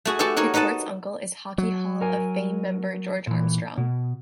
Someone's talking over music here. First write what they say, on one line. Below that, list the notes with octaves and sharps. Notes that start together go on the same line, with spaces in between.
McCourt's uncle is Hockey Hall of Fame member George Armstrong.
A3 F#4 G#4
F#4 G4 A4 B4 E5
D#4 F#4 A#4 C#5
D#4 B4 D#5 F#5 A5
F#3
A#4 G#5
A#2 E3
B2